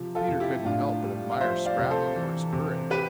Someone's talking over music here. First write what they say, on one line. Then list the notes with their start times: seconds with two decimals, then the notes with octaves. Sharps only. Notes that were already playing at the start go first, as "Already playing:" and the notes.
Peter couldn't help but admire Scrapper for his courage.
Already playing: C3 F3
0.15 F4 A4
0.28 C3
0.40 E4 G4
0.65 A2 D4 F4
1.03 G3
1.31 F5
1.40 F3 C5 E5
1.66 D5 F5
1.78 C3
1.91 A4 C5
2.15 E3
2.53 C3
2.91 G4 B4